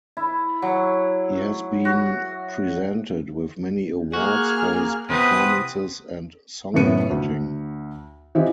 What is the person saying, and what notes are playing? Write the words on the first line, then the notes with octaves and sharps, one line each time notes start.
He has been presented with many awards for his performances and songwriting.
E4
F#3
F#4
A#3 F#4 G#4 F6
C3 E3 B3 C4 B4 D#6
F#2 A2 C3 B3 C#7 D#7
D2
E3 C4 E4 F4 G4 D#5